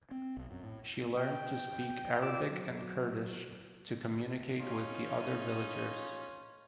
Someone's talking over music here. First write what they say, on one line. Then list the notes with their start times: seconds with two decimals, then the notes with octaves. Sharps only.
She learned to speak Arabic and Kurdish to communicate with the other villagers.
0.11 C4
0.37 B1
0.51 F#2
0.63 A2
1.17 G5
2.22 F4 G4 D5 D6 E6
2.50 F#3
4.59 C#4 D#4 F4